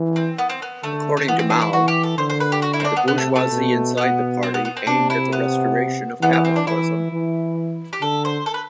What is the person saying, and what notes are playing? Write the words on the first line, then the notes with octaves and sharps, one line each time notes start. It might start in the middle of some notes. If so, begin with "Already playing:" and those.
According to Mao, the bourgeoisie inside the party aimed at the restoration of capitalism.
Already playing: E3
C4
B3
C4
B3
D3 A3
A3
E3 B3
C4
D4
E4
E3 F#4
G4
A4
D3 C5
C5
B4
G4
F#4
E4
C4
D4
B3
C3 B3
A3
A3
B2
B3
C4
B3
B3
C4
C3 D4
E4
B3
E3 B3
B3
C4
D4
E3 E4
E3
G4
D3 A4
C5
A4
B4